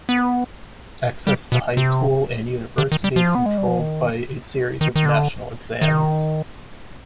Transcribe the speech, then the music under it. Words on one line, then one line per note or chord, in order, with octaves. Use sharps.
Access to high school and university is controlled by a series of national exams.
B3
G3
B2
C3
D3
D#3
G3
F3
B3
G#3
G3
F3
D#3
D#3
D#3
D3
D#3